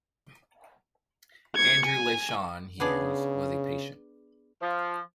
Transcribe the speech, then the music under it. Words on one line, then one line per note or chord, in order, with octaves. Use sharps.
Andrew Leyshon-Hughes was a patient.
G#6 C#7
G#5
C#3 B3 D4 G#4
F3